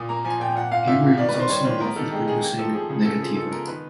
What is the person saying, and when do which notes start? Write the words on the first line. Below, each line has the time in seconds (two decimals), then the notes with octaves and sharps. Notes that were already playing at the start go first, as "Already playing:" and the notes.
Gabriel was also involved with producing "Negativa".
Already playing: A#2 D#6
0.09 A#3 A#5
0.25 F3 G#5
0.40 A#2 G5
0.56 A#2 F#5
0.71 A#2 F5
0.87 A#2 E5
1.03 A#3
1.18 D#3 D5
1.29 B4
1.34 D#3
1.40 C5
1.49 G3 C#5
1.65 D#3 C5
1.80 B3 A#4
1.96 D#3 A4
2.11 G#3 G4
2.27 D#3 G#4
2.43 A#3 G4
2.58 F3 A4
2.73 F3 G#4
2.89 C#3 G#4
3.05 C#3 A4
3.20 F3 G#4
3.36 G#3 A4
3.52 B3 A#4
3.68 D#3 B4